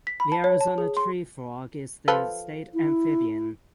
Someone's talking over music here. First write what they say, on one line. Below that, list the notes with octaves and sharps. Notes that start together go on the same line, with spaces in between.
The Arizona tree frog is the state amphibian.
B6
B5
A5
C#5
A5
G#4
C6
F3 A4 B4
E4